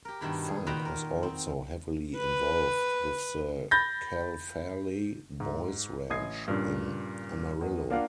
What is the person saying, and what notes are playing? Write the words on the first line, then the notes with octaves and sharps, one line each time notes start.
Funk was also heavily involved with the Cal Farley Boys Ranch in Amarillo.
G4 A#4
G2 B2 D#3 E4
G#4
A#2 D#3 F#4 B4 G5 A#5
A#4
C4
B4
B5 G6 A6 A#6
G#2
A1 D#5 D#6 G#6 C7
G2 A#2 C#3
E2
A#3 D4 F4 D5 F5 F#5